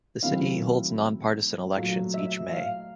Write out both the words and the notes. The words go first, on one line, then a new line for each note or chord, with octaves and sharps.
The city holds nonpartisan elections each May.
D#3 F#3 A3 C4 E4 F5
A#2 F#3 A3 F5
E5
F5